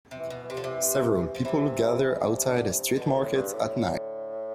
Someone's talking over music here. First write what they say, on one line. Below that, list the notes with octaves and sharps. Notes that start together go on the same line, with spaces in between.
Several people gather outside a street market at night.
C3
E3
B2
E3
C3
D3 F3
C3
E3
F3
C3 E3
D3
C3
D3
C3
B2 D3
A2
G2
A2